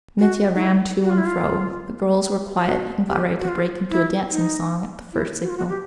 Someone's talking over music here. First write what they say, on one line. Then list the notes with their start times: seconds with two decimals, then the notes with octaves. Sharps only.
Mitya ran to and fro, the girls were quiet, and got ready to break into a dancing song at the first signal.
0.19 F#4
0.55 D#4
0.61 E4
1.02 F#4
1.10 F4
1.18 E4
1.26 F4
2.57 F4
2.66 F#4
3.08 G4
3.40 F#4
3.48 F4
3.90 E4
4.31 D#4
5.13 E4
5.41 F#4
5.49 F4
5.57 F#4
5.69 G4